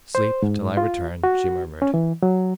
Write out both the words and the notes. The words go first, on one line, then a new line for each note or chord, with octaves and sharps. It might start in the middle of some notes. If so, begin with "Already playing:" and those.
"Sleep till I return," she murmured.
C5
G#2
F4
F#4
C#4
E3
F#3